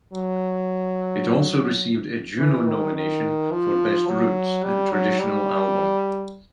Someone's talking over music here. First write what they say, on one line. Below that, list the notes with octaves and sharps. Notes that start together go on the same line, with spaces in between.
It also received a Juno nomination for Best Roots and Traditional Album.
F#3
E3
D#3
D#3
F3
F#3
G3
F#3
G3